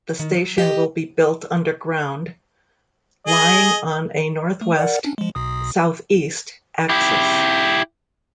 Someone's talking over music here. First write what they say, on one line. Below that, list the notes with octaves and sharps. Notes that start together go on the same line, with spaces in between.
The station will be built underground, lying on a northwest-southeast axis.
D#3
F#3
G4 D#5
G#4 D#5
A3
A#4 D5 F#5
C#4 D4
F3 G#3
B1 B2 D#6
E4 G4